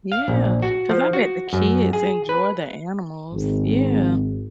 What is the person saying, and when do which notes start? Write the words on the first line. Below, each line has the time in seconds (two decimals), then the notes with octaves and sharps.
Yeah, 'cause I bet the kids enjoy the animals. Yeah.
0.12 F5
0.28 A#1
0.62 F#4
0.89 F3
1.13 F#4
1.53 F#2
1.93 G#4
2.29 B4
3.32 G#1